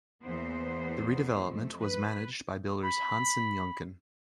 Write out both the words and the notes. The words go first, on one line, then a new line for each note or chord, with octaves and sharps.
The redevelopment was managed by builders Hansen Yuncken.
E2 E3 A#3 B3 C5
F2 A3
B4
B5